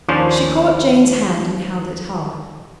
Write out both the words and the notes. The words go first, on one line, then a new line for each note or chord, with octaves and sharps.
She caught Jane's hand and held it hard.
D#2 F3 C#4 D4 C5